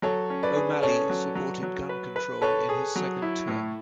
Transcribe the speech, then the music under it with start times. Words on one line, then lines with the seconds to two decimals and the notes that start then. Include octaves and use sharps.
O'Malley supported gun control in his second term.
0.02 F#3 A4 C#5
0.30 C#4
0.43 B4 D5
0.56 G#4
0.82 C#4 A4 C#5
1.10 F#3
1.35 F#3
1.63 F#3
1.89 B4
2.16 B4
2.41 A4 B4 C#5
2.69 G#4
2.96 F#3
3.22 E4
3.48 A2